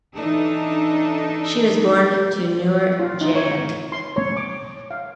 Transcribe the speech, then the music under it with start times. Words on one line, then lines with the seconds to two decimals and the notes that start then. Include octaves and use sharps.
She was born to Noor Jehan.
0.16 E3 D4 D#4 A4
2.99 F4
3.21 D#4
3.35 C#5
3.92 C6
4.16 C#5
4.37 D6
4.91 F5